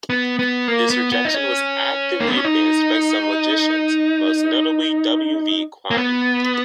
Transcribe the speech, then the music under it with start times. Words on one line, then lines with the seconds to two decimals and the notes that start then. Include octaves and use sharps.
This rejection was actively advanced by some logicians, most notably W. V. Quine.
0.10 B3
0.39 B3
0.68 A#3
0.90 B3
1.12 B3
1.25 D#4
1.34 C#4
2.20 A#3
2.28 B3
2.37 C#4
2.44 D#4
5.91 A#3
5.97 B3